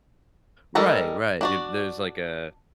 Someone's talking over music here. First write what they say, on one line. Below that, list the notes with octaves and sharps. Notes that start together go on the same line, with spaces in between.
Right, right. Y if there's like a
G3 G#3 D#4 A4 A#4
D4 F#4 D5